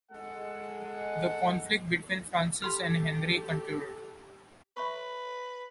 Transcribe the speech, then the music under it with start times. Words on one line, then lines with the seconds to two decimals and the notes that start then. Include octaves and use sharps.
The conflict between Francis and Henry continued.
0.11 G#3 A4 F#5
2.62 G4 A4 B5 C6 F6
4.77 B4 E5 B5 C#6